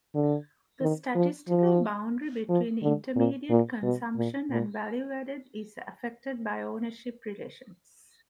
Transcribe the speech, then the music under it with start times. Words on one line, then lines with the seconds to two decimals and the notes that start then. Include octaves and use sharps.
The statistical boundary between intermediate consumption and value added is affected by ownership relations.
0.15 D3
0.81 D#3
1.15 F3
1.49 F3
2.49 F3
2.82 D3
3.16 A#2
3.50 A#2
3.83 B2
4.16 A#2
4.50 A#2